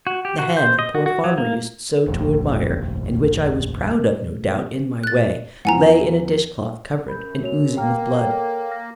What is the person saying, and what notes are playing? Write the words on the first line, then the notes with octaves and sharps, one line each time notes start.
The hand the poor farmer used so to admire, and which I was proud of no doubt, in my way, lay in a dishcloth covered and oozing with blood.
F#4
G4
F#4
C5
D#5
F#4
F#4
F#3
A#3
F1 A#1 D#2
F#6 A6
E2 F3 F#5 G#5 A#5
F#2 B5 G6
F#4 C#5 F7
A#3 G5 A#5 F6
A4 C#5 G5
F6 A#6